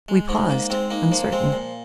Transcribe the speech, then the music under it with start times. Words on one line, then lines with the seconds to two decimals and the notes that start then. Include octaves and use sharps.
We paused uncertain.
0.08 G#3
0.29 G#2 G#3
0.50 A#3
0.70 G#3 C4
0.90 A#3 D#4
1.12 F3 A#3
1.32 G#3 C4
1.52 A#2